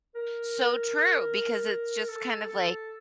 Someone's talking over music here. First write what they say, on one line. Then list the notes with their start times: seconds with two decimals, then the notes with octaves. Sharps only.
so true because it's just kind of like,
0.15 A#4
2.08 A4
2.48 A4